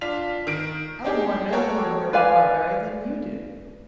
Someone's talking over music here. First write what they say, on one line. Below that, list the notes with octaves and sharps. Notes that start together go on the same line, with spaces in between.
"Aylmore no more murdered Marbury than you did!"
D4 F4 B6 F7
D#3 D7
D4 D#4 G4 G#4
F#4 A4 A#4 C#5 G5
B4 D5 F5 G#5